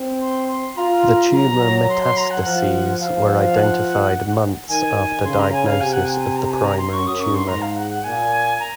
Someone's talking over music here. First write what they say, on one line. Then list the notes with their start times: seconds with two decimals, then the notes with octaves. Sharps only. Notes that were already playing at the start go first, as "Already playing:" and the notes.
The Tumour metastases were identified months after diagnosis of the primary tumour.
Already playing: C4
0.22 C6
0.49 C6
0.77 F4 A#5
1.33 F#3 A#5
1.89 C6
2.03 C6
2.17 A#5
2.31 F#5
2.45 F3
3.00 F3 F5
3.15 F5
3.29 F#5
3.42 F5
3.57 F#5
4.69 D#3 G#5
5.25 C#3 C6
5.39 A#5
5.52 G#5
5.67 F5
5.81 C3 G#5
5.93 F#5
6.04 G#5
6.37 A#5
6.51 G#5
6.64 A#5
6.78 C6
6.93 F#2 C#6
7.07 D#6
7.20 C#6
7.35 C6
7.48 G#2 A#5
7.62 F5
7.76 F#5
7.91 F#5
8.04 A#2 G#5
8.60 A#5